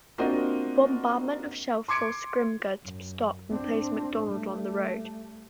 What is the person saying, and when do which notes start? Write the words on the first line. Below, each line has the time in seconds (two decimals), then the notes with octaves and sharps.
The bombardment of shell forced Scrimger to stop and place Macdonald on the road.
0.18 A#3 C4 D4 F4 F#4 D#5
1.88 C6 D6 G#6 C#7 D7
2.83 F#2
3.51 C4 D4
4.27 G3 A3